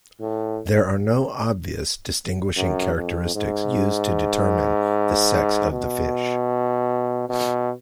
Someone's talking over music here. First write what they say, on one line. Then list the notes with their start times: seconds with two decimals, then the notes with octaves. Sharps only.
There are no obvious distinguishing characteristics used to determine the sex of the fish.
0.20 A2
2.57 F#2
2.96 F2
3.35 G#2
5.72 B2
7.29 B2